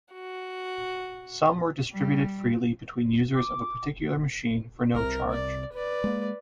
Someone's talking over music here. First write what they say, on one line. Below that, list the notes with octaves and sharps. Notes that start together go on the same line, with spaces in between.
Some were distributed freely between users of a particular machine for no charge.
F#4
G3
D6
C2 C3 A#4
D5
B4 D5
G#3 A#3